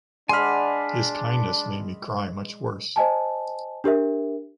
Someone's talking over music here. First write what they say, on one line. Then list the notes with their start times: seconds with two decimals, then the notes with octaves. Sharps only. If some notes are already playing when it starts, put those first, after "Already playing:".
His kindness made me cry much worse.
0.29 G#3 D4 D5 F#5 G#5 B5 C6 F6
2.96 C5 D#5 G#5 A5
3.84 D4 G4 A#4 E5